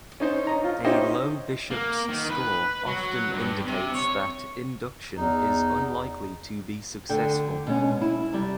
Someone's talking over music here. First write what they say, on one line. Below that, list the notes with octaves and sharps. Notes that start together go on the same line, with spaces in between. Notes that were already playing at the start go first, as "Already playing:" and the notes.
A low Bishop's score often indicates that induction is unlikely to be successful.
C#4 D#4 C5
C#4 D#5 A#5
F4
C#4 D#4 E4 G4 C5 D#5
A#3
D#3
B4
F#3
G2
C3
C#5
E2 D#4
D2 D3 G5
B2 G#3 C#4
E4
C3 G3